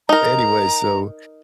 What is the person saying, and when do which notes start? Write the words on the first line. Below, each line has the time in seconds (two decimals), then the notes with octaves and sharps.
anyway, so,
0.09 D#4 A#4 A#5